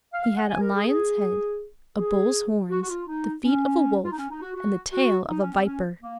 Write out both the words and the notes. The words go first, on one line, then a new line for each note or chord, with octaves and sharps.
He had a lion's head, a bull's horns, the feet of a wolf, and the tail of a viper.
F5
F5
F#5
G#5
A#4
G#4
G#4
G#4
F#4
F#4
F4
D#4
C#4
F4
D#4
C#4
D#4
F#4
F#4
F#4
D#4
C#4
C4
C#4
A#3